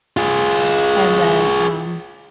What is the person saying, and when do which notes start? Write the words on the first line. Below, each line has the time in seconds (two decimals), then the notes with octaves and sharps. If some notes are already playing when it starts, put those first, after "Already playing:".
and then, um,
0.17 F4 G#4